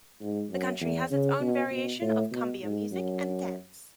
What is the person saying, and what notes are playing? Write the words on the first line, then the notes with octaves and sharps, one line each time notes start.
The country has its own variation of cumbia music and dance.
G#2
F#2
E2
C#3
B2
B2
A2
B2
G#2
F#2